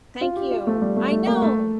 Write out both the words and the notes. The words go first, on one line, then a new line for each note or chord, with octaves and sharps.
Thank you, I know,
F4
G4
F4
A3
G3
A3
A3
A#3
A3